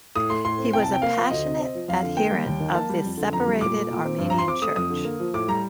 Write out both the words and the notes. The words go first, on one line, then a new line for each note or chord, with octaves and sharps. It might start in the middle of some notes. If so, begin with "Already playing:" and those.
He was a passionate adherent of the separated Armenian Church.
A2 D#6
A3 C6
A2 C6
C4
C2 G5
A5
C3
G5
A#3 F5
F3
D2 D#5
C3
C4
F3
F2 F5
D3
A#3 G5
G3
D#2
D#3
A#3 A5
G3
F2
D3
F2 A#5
G3
A#2 D6
A3
A#2
C4
G2
F3 A#5
C6
C4 D6
A3 D#6
F2 D#6
D3
A#3
F3
A2 D6
G3 A#5